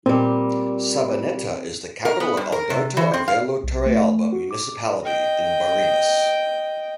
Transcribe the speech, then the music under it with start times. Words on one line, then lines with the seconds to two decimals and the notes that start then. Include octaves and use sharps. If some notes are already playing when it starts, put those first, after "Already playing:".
Sabaneta is the capital of Alberto Arvelo Torrealba Municipality in Barinas.
0.06 A#2 G3 C4
2.05 A#4
2.20 B3
2.37 G2
2.52 A#4
2.70 C3
2.97 E3
3.14 C4
3.28 F5
3.64 B1
3.86 A3
4.33 F#4
4.51 D6
5.04 D#5 G5